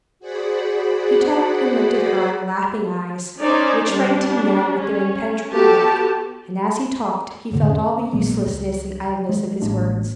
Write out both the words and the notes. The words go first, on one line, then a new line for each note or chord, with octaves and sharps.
He talked and looked at her laughing eyes, which frightened him now with their impenetrable look, and, as he talked, he felt all the uselessness and idleness of his words.
F#4 G#4 C5 D5 F#5 B5
C#4 D#4 C5 D5
G3 D4
C#4
B3 F#4 G4 A4 A5
F1 A2 D3
C#4
A#1 F#3 G#3 A#3
C#2
G#3
A1 G#3 A#3 D4